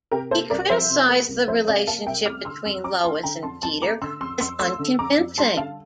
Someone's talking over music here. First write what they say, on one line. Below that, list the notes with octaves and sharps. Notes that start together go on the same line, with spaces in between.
He criticized the relationship between Lois and Peter as unconvincing.
C3 G4 A#4
A#3 A4 C5
C2 A#4 D5
F3 C5 E5
C3
A#3
C2
F3 C5 E5
C3 D5 F5
A#3 F5 A5
C2 E5 G5
A3 D6 F6
D3 C6 E6
F2 C6 E6
F2 A#5 D6
A3 A5 C6
D3 G5 A#5
F2 A5 C6
F2 A5 C6
A3 A#5 D6
D3 C6 E6
F2 C6 E6
F2 C6 E6
A3 C6 E6
D3
F2 A#5 D6
F2
G3 A5 C6
D3 F5 A5